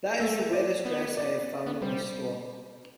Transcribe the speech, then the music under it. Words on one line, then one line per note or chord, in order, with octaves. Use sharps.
That is the weirdest dress I have found in this store.
A3 E5
C5
D5
B3
D5
B3
G3 C5